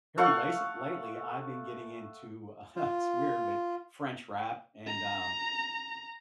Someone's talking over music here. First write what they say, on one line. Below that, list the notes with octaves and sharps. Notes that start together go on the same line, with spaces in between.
here, lasely lately, I've been getting into, uh, it's weird, but French rap and, um,
A3 F5 F#5 C#6
F4
A#5